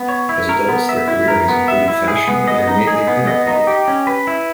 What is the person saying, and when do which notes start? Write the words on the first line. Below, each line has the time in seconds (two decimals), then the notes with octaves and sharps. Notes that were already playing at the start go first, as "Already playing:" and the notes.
As adults, their career has included fashion and mainly pin-up modeling.
Already playing: B3
0.08 C#5
0.29 E4
0.49 A#4
0.69 B3
0.89 E5
1.08 E4
1.28 A#4
1.48 B3
1.68 E5
1.88 E4
2.08 G#4
2.28 B3
2.47 D#5
2.68 D#4
2.87 G#4
3.07 B3
3.27 D#5
3.47 D#4
3.67 G4
3.88 C#4
4.07 B4
4.27 E4